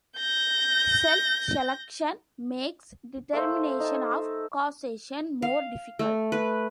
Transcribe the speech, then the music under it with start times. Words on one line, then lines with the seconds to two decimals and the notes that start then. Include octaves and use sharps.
Self-selection makes determination of causation more difficult.
0.17 G6 A#6
3.33 A3 A#3 A4 C5
3.80 D#4 A5
5.42 F5
5.99 A3
6.32 B4